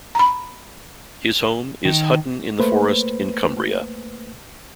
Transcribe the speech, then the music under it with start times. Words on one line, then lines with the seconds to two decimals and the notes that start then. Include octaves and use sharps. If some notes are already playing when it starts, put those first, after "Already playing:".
His home is Hutton-in-the-Forest in Cumbria.
0.15 A#5 B5
1.85 D#3
2.60 A3 A#3 B4 C5